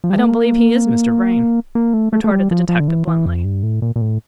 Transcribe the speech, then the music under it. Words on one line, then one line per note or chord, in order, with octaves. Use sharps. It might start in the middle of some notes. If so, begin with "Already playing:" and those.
"I don't believe he is Mr. Vrain," retorted the detective bluntly.
F3
G3
A3
A#3
A#3
A3
A3
A3
G3
F3
F3
D3
E3
E3
F2
G2
A2
A#2
A#2
A2